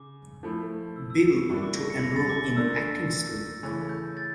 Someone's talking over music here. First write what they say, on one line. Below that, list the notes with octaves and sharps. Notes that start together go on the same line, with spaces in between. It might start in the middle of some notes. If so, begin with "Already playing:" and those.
Bill to enroll in acting school.
Already playing: C#3 D6
F3 A3 E4
E6
E6
E6
C#6
A2 G3 A#3 D4 C#6
D6
A#6
C#7
A#6
A6
D6
D3 A3 D4 F4 A#4 E6
C#3 E3 A3 C#4 E6
G6
A6